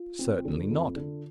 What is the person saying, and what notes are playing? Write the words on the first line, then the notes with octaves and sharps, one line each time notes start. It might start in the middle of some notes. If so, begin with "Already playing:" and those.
Certainly not.
Already playing: F4
C4
D3
F2
D3